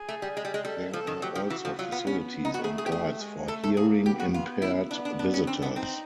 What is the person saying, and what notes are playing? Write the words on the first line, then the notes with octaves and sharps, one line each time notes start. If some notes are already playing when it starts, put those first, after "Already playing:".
There are also facilities and guides for hearing impaired visitors.
Already playing: G#4
A3
G3
G#3
G3
G#3
G3 A4
F3 A4
D#3
F#3 G4
F3
E3 F#4
F3
F#3 F4
B3
B3 C#4
D#4
F#4
A3 G#4
G#4
G4
G#4
G#3
A3 A4
A4
A#3 G#4
B3 G4
F#4
B3 F4
E4
B3 D4
D4
D4
C#4
C4 D4
B3
C4 D#4